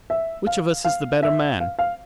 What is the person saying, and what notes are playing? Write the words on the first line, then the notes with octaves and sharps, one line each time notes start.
Which of us is the better man?
E5
F5
F5
E5
F5
F5